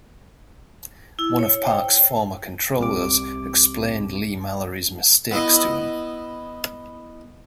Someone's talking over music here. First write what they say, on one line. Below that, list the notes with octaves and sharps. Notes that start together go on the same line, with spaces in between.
One of Park's former controllers explained Leigh-Mallory's mistakes to him.
E4
C#5
C5 G5
C2 C3 D6
B3 E4 D#5